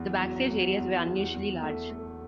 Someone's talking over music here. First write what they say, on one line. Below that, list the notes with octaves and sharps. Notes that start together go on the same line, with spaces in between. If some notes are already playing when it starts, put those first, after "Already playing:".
The backstage areas were unusually large.
Already playing: E2
F#3
E2
E2
E2
E2
A3
A3